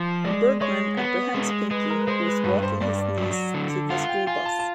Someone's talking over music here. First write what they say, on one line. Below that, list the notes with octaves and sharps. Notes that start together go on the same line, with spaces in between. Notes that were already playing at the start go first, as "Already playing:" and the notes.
Bergman apprehends Pinky, who is walking his niece to the school bus.
Already playing: F3
G#3 D5
G#3 C#5
B3
G#3
G#3 B4
A#4
B4
G#3 C5
B4
G2 B4
B4
C5
G2 D5
D5
F#3
D3
F4 F#5
G5
F4 G#5
A5
A5